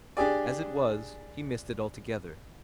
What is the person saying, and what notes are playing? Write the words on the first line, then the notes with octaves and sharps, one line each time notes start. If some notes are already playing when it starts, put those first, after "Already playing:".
As it was, he missed it altogether.
D4 G4 G#4 D5